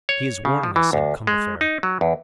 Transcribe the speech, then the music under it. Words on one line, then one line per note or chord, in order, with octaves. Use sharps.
"He is warning us," said Combeferre.
C#5
C#3
F3
E3
D2
G#3
D#4
F#3
E2